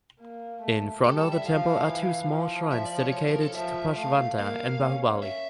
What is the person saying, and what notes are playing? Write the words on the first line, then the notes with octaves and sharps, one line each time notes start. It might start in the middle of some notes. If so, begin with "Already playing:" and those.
In front of the temple are two small shrines dedicated to Parshvanatha and Bahubali.
A#3
A3
G3 A4
A4
E5
F3 F5
E3
F3
E5
D5
C#5
C#5
A#4
A4
F3 E5
A3 F5
A#3 F5
C#4
E5